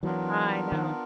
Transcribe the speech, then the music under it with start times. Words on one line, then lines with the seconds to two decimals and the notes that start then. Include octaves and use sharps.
I know.
0.03 E3 F#3 B3 D4 F4 A#4
0.72 D#3 F3